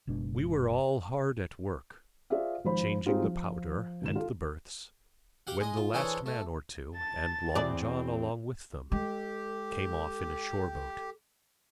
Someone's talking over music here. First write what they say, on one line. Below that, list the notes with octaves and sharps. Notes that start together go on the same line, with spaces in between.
We were all hard at work, changing the powder and the berths, when the last man or two, and Long John along with them, came off in a shore-boat.
F#1 B2 G#3 D4
F4 G#4 C5 D5 E5 F5
G#1 F3 C5 B5
G3 G#3 C4 D#4 F4 F#4
F3
G#1 C#2 D#3 E7
F4 A4
G4 F5 F#5
G#3 D#5
F4
E3 D4 G#4 A4 C5 C#5
A3
A5 A6
E2 C4 D5
G#3 G4 A4